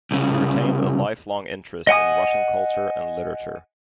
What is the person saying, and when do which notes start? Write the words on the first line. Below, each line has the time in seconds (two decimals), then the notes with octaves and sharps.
He retained a lifelong interest in Russian culture and literature.
0.11 C2 C#3
1.87 D#5 F#5 G#5 D#6